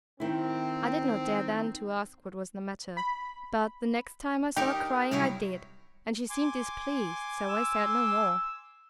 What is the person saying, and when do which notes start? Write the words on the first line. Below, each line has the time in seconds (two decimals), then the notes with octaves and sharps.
I did not dare then to ask what was the matter; but, the next time I saw her crying, I did, and she seemed displeased;--so I said no more.
0.20 D#3 C4 E4
2.97 B5
4.57 D#4 G4 A#4 G5
5.11 C2 F#3 E4 A#4
6.30 G#5 C6 D6
7.49 E6